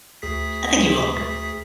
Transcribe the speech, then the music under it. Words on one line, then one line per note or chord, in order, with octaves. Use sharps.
I think you will.
D2 G#4 B6